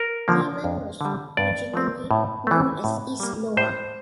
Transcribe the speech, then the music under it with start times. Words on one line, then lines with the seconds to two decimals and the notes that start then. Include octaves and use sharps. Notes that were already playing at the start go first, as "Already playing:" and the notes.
Lyman was originally known as East Loa.
Already playing: A#4
0.28 D3 F3 A#3
0.64 F2
1.01 D3 G3
1.37 G2 D5
1.74 F3 A3 C4
2.11 A2
2.47 E3 A3
2.84 A2
3.20 G3 A#3
3.57 A2 C5